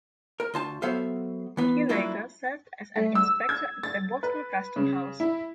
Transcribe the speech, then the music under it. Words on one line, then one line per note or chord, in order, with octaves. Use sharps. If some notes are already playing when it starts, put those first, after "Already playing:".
He later served as an inspector at the Boston Custom House.
A#4
D2 F4 A5
F#3 B3 A4 C5 E5 F5
E3 B3
F#3 A#3 D4 E4 F4
A3
E6
G#6
A6
B4
C#3
E4